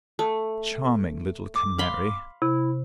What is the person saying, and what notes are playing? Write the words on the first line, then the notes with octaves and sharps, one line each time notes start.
Charming little Canary!
A3 A5
D6
F5 B5 C6
C3 E4